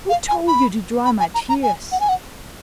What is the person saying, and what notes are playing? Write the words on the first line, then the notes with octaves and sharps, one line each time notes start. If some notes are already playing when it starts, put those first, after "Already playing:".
Who told you to dry my tears?
F5
G#5
B5
B5
G#5
A#5
A#5
G#5
F#5
G#5
F#5